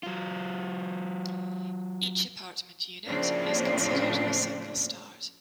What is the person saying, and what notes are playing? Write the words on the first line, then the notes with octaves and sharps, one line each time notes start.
Each apartment unit is considered a single start.
F#3 F4
A2 C#3 F3 A#3 C4 D4